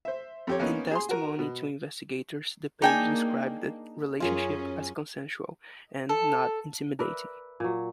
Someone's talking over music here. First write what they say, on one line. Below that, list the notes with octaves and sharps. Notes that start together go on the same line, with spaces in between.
In testimony to investigators, the page described the relationship as consensual and not intimidating.
C5 E5
F2 G4 C#5
A#3 B3 C#4 D#4
G#4 C6
F#4 A#4
B2
A#3 D4 D#4 G#4 G5 G#5
F#2 C#4 F4 G#4 A#4
A4
A#4 B4 D5 E5
A#2 F#3